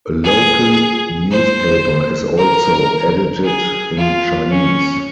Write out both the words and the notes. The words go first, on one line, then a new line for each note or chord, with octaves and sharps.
A local newspaper is also edited in Chinese.
G#4
C5
A#4
G#4
F4
C#4